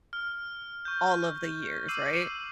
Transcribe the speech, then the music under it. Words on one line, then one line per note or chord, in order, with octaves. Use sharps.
all of the years, right,
F6
C#6 G6
D6 E6 C7 D#7 F#7